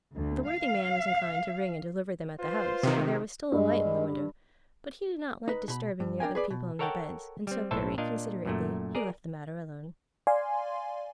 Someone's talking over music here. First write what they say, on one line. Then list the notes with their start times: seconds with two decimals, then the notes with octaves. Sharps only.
The worthy man was inclined to ring and deliver them at the house, for there was still a light in the window; but he did not like disturbing the other people in their beds, and so very considerately he left the matter alone.
0.15 D2
0.47 F5
2.40 F4 B4 C5
2.83 C3 D#3
3.52 G2 G#3
5.48 D#4 B4
5.68 B2 B5
6.00 G2
6.20 D4 A#4 G5 G#5
6.35 G#4 B4 D5
6.50 B2
6.79 A4 A#4 C#5 F#5 G5 A5
7.47 G3 C4
7.71 B1 A2 A4 C5 E5 A5
7.98 A#2 D4 D#5 F5
8.45 F#2 A#2 A3
8.95 G#4 A#4 D5
10.27 D5 F5 G#5 C6